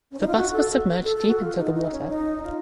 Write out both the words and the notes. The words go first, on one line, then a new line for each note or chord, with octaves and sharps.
The bus was submerged deep into the water.
C#4
D#4
F4
F#4
A4
A4
A4
F#4
F4
D#4
D#4
C#4
D#4
F4